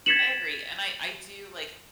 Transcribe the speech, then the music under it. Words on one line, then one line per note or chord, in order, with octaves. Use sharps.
I agree, and I I do, like
G#6 A6 B6 C#7 E7 F#7